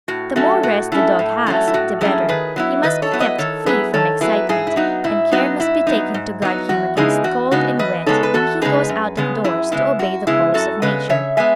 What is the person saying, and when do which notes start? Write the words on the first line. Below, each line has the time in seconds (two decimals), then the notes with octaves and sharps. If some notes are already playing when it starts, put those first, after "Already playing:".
The more rest the dog has the better; he must be kept free from excitement, and care must be taken to guard him against cold and wet when he goes out of doors to obey the calls of Nature.
0.08 A2 F#4
0.36 F#3 A3 C#4 F#4
0.63 A2 F#4
0.92 F#3 A3 C#4 E4
1.19 A2
1.47 F#3 A3 C#4
1.67 E4
1.74 A2 F#4
2.01 F#3 A3 C#4 E4 G#4
2.29 D#3 G#4 B4
2.56 F#3 B3 E4
2.83 D#3 B4 D#5
3.02 A4 C#5
3.11 F#3 B3 E4
3.20 B4 D#5
3.38 D#3 A4 C#5
3.66 F#3 B3 E4 G#4 B4
3.94 D#3 A4 C#5
4.21 F#3 B3 E4 G#4 B4
4.49 G#2 E4 G#4
4.67 E4
4.76 F#3 B3 D#4 F#4
5.04 G#2 E4
5.31 F#3 B3 D#4 F#4
5.60 G#2 E4
5.87 F#3 B3 D#4
6.14 G#2
6.42 F#3 B3 D#4
6.69 E2 F#4
6.97 C#3 G#3 B3 D#4 E4 G#4
7.24 E2 F#4
7.52 C#3 G#3 B3 D#4 F#4
7.79 E2 B4 D#5
8.06 C#3 G#3 B3 D#4 A4 C#5
8.23 B4
8.34 E2 F#4 A4
8.62 C#3 G#3 B3 D#4 G#4 B4
8.89 F#2
9.17 C#3 G#3 B3
9.44 F#2 E4 G#4
9.72 C#3 G#3 B3 E4
9.99 F#2 F#4
10.27 C#3 G#3 B3 E4 G#4
10.54 F#2 F#4 A4
10.82 C#3 G#3 B3 B4 D#5
11.09 C#3 C#5 E5
11.37 G#3 B3 E5 G#5